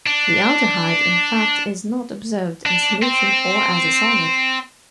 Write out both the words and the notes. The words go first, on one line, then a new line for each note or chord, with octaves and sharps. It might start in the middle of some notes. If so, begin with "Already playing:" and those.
The aldehyde in fact is not observed in solution or as a solid.
D4
D4
C4